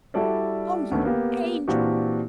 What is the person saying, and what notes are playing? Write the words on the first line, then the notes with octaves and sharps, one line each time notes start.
Oh, you angel!
G3 E4 F#4 A4 D5 E5
D2 D#3 A3 B3 C#4
A#3 B3 G4
A#2 E3 C4 D4 F#4 G4